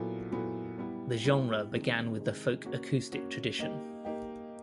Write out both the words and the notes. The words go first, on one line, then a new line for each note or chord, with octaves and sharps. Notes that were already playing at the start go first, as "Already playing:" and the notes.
The genre began with the folk-acoustic tradition.
Already playing: A#2 F#3 B3 E4 A4
A#2 F#3 B3 E4 A4
G3 B3 E4
G3 B3 E4
C3 D#3 G#3
C3 D#3 G#3
A#3 C#4 F#4
A#3 C#4 F#4
A#3 D#4 G4
A#3 D#4 G4